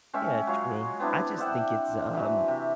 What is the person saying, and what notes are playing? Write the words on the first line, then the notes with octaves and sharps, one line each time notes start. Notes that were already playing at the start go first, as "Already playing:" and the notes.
Yeah, true. I just think it's, um,
G#3 C#4 E5 G5
F#3 G#3 F4 C#5
B3 C4 D4 E4
C5 E5 F#5 G5
E3 F#3
C3